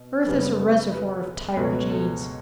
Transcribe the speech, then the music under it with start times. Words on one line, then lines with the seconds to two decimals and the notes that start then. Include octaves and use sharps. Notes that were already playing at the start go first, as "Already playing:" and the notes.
Earth is a reservoir of tired genes.
Already playing: B2
0.26 F#2 C#3 G3 B3 B4
0.59 A4
0.92 B4
1.57 C#2 B2 A3 B4
1.64 C#5
1.72 B4
1.90 A4